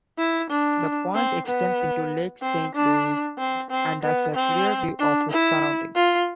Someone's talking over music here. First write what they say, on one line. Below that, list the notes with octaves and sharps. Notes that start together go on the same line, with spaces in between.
The point extends into Lake Saint-Louis and has a clear view of its surroundings.
E4
D4
C4
B3
C4
D4
C4
C4
B3
C4
D4
E4
F4